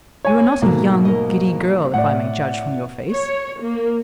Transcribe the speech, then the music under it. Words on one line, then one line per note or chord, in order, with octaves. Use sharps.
You are not a young, giddy girl if I may judge from your face.
C#5 G#5
G#2 B2 F#3 A3 A#3
A#4 D#5
A2 D5 F#5
C#5
A#3